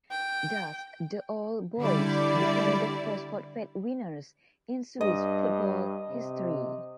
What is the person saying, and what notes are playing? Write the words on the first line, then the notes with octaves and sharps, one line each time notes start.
Thus the Old Boys became the first forfait winners in Swiss football history.
G5
D3 G3 E4 D5
G2 D#5
C3